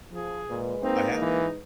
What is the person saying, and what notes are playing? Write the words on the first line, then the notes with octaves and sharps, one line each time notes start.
I have.
F3 G#4
A#2 G#3 B4
A#3 C4 D#4
E3